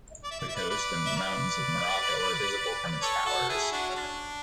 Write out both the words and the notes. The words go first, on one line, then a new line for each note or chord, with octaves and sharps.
The coast and mountains of Morocco are visible from its towers.
D5
E5
D5
E5
B4 D5
B4 D5
E5
B4 D5
A4 C#5
F#4 A4
E4 G#4
D4 F#4
C#4
D4